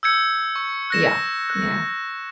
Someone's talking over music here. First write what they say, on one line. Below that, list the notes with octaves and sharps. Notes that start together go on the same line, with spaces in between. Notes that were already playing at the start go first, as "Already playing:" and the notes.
Yeah. Yeah.
E6 G6 G#6 C#7
C#6
F#6 A#6 E7
F#6